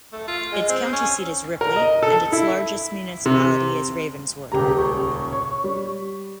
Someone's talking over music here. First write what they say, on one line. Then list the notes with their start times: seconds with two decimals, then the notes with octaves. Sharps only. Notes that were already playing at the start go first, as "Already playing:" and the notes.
Its county seat is Ripley, and its largest municipality is Ravenswood.
0.12 A3
0.27 F4
0.52 G#3
0.69 C4
0.92 C#4
1.61 A#4
1.76 D#5
2.03 A4
2.32 E4
3.26 C3
4.52 D#1 C#2 G4 A#5
4.78 C#6
5.32 C#5
5.64 G3